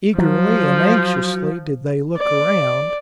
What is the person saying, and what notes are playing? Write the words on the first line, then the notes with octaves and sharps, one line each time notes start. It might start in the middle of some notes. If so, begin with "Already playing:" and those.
Eagerly and anxiously did they look around.
F3 F#3
D5